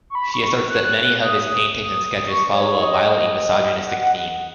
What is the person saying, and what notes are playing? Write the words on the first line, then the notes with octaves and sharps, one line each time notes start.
She asserts that many of his paintings and sketches follow a violently misogynistic theme.
C#6
B5
C#6
F#6
D#6
C#6
C#5
D#5
F#5
F#5